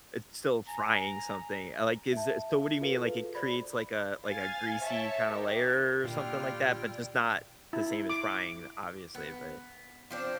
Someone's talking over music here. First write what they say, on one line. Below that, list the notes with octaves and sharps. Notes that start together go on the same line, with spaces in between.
It's still frying something. Uh, like, is it so what do you mean? Like, it creates like a like a greasy kinda layer or something like that, but just not the same as frying, obviously, but
G#5 A#5
E5 A5
F4 F#4 G#4 A4 B4 F5
C5 D5 B5
F5 G#5 A6
C#5 E5 A5
D#4 G4 A#4
A#2 D3 G3 F4 G5 F6
E4
D6
B3
F3 C4 D4